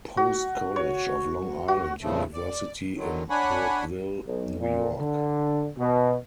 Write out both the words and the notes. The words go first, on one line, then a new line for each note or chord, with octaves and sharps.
Post College of Long Island University in Brookville, New York.
F#4
C#5
F#4
G2 A#2 C#3 F3 A3
D5
D3 D#3 F#3
D4 C#5 F#5 G#5 B5
B1
A#2
D3
B2